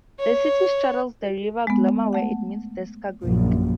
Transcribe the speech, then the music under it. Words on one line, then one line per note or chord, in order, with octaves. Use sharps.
The city straddles the river Glomma where it meets the Skagerrak.
C#5
G#3 B3
A3 F#5
A#1 F#2